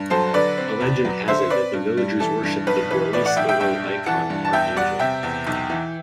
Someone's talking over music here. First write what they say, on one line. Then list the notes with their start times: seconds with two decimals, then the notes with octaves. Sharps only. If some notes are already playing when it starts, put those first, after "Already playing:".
A legend has it that the villagers worshiped the Broliskalo Icon of Archangel.
Already playing: G2
0.10 F#3 A4 C5
0.34 D3 B4 D5
0.57 C4
0.80 E2
1.04 F#3
1.28 D3 C5 E5
1.50 C4 B4 D5
1.74 G2
1.97 G3
2.20 E3 A4
2.43 G2
2.67 B1 B4
2.90 E3 B4
3.13 A2 B4 D5
3.25 D5 F#5
3.37 B1 E5 G5
3.48 E5 G5
3.60 G2 E5 G5
3.84 G3
4.06 E3 F#5 A5
4.30 G2
4.45 A5
4.53 E2 E5 G5
4.76 G3 D5 F#5
4.99 C3 E5 G5
5.23 E2
5.47 B1
5.70 E3